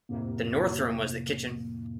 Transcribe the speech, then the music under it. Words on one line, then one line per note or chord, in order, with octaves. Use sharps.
The North room was the kitchen.
F2 A2 C3 A#3